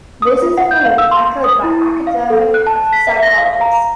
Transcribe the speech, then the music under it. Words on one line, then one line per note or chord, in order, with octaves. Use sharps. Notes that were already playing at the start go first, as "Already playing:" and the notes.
This is a belief echoed by academic psychologists.
D#6
F4
F#5
G6
F5
E6
C6
D#6
E4
F5
A4
F#6
A5
B6
E5
A#6
F5
A#5